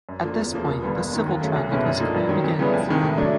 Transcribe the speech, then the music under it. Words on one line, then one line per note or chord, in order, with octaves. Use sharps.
At this point the civil track of his career begins.
F#2
D3 F3 A#3
E2
C#3 F3 A#3
E1
D#2 D3 G3 B3
G1
F#2 D#3
D#2
C#3 F#3 A3
C2
B2 G#3 C#4 E4
F#2
D3 F3 A#3 D#4
G2
D#3 F#3
F2
C#3 E3 G3 B3
F2
C3 D#3 G#3
A2
F#3 A3 D4